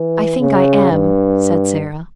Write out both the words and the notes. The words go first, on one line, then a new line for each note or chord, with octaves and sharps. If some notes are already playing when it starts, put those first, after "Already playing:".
"I think I am," said Sara.
Already playing: E3
C#3
G2